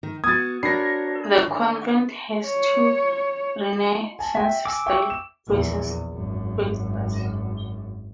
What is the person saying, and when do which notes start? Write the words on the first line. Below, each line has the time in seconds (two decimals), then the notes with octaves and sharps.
The convent has two Renaissance style cloisters.
0.03 D#3
0.24 B3 F#4 D#6 G#6 A6
0.63 D4 F#4 A#4 C#5 B5 A#6 C7
1.47 D#3
2.45 C#5
4.19 G#5 A5
4.35 E5 F#5 G5
4.65 G#5 D6 E6
4.86 E5 G5 C#6
5.10 E7
5.47 A#1 E2
6.13 G#1 F#2